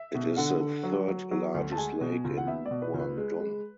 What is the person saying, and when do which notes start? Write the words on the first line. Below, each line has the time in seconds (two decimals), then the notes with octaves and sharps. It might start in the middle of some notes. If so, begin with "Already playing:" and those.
It is the third largest lake in Guangdong.
Already playing: E5
0.15 B2
0.37 D3 F#5
0.60 D3
0.84 F#3
1.08 F#3
1.31 F#3
1.54 D2
1.72 A5
1.77 G#3 G#5
2.01 B2
2.24 C#2
2.37 F#5
2.47 B3 E5
2.66 D5
2.71 B2
2.82 B4
2.94 C#2
3.00 B4
3.18 G#3
3.40 G#3